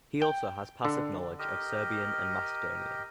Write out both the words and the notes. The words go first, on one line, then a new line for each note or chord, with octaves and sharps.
He has also passive knowledge of Serbian and Macedonian.
G5
D3
G4 A#4 D#5